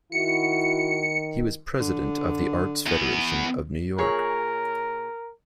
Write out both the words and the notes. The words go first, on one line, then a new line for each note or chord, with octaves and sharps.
He was president of the Arts Federation of New York.
D#3 E4 F#4 C#7
D3
E2 B3
A#2 G#4 A#4 C#5